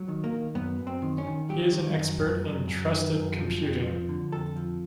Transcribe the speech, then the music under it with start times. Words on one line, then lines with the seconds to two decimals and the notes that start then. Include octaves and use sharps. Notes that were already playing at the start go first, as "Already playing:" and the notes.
He is an expert in trusted computing.
Already playing: F#3
0.08 D#3
0.24 A#3
0.32 D#3
0.55 F#2 B3
0.79 F#2
0.87 C4
1.02 D#3
1.18 C#4
1.27 D#3
1.49 F#3 G4
1.73 D#3
1.97 F#2
2.20 F#2
2.44 F#2
2.67 F#2
2.91 D#3
3.14 F#2
3.39 F3
3.61 F2
3.86 F3
4.09 D3
4.32 F2 A4
4.56 F3